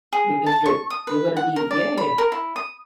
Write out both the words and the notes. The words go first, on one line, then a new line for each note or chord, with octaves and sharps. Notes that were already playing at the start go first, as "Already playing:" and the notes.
because you're you're gonna be yeah.
G#4
A5
C#6
D#6
B4
F#5
A#4
D5
B5
A#4
E4
D#6